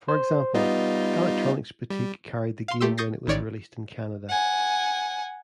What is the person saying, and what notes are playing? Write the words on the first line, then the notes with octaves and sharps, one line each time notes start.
For example, Electronics Boutique carried the game when it was released in Canada.
C5
G3 B3 D#4 F4 D#5
G3
F5 C6
A3 G4 C6 E6
C#6 D#6 G6 A6 A#6 C7
A1 D#3 C#5 D5 A6
F#5 G#5